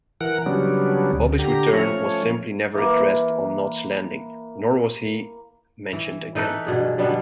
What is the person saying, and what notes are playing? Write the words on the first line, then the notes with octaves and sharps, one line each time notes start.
Bobby's return was simply never addressed on "Knots Landing", nor was he mentioned again.
E3 A#4 F#5
C#3 F#3 G3 B3 C#4 D4
D2
D3 G4 A#5
F3 A3 C#4 C#5
E3 A#3
E3
E3 D#4 A4 B4
G2 B2 G#4
B2 D3 G3 B3